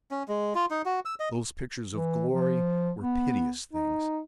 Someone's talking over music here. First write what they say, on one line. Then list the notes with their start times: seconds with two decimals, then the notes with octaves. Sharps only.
Those pictures of glory were piteous things.
0.11 C#4
0.28 G#3
0.55 F4
0.71 D#4
0.86 F#4
1.05 E6
1.20 D#5
1.93 E3
2.34 F3
3.01 B3
3.73 D#4